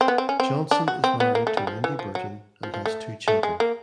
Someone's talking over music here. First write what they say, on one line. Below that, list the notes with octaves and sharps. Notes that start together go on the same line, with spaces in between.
Johnson is married to Wendi Burton and has two children.
C4
B3
C4
C#4
C4
D4
F#4
C4
B3
A#3
A3
G3
F3
E3
F3
F#3
F3
F3
A3
A3
G#3
A#3